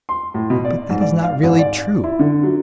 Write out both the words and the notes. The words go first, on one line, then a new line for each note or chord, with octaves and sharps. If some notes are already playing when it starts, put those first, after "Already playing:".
But that is not really true.
C6
A2
B2
D5
G#2
D5
F5
G#1
D5
E4
D3
F#3